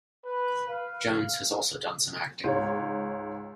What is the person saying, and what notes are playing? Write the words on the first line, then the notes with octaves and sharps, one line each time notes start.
Jones has also done some acting.
B4
F5
C#2 G#2 C#5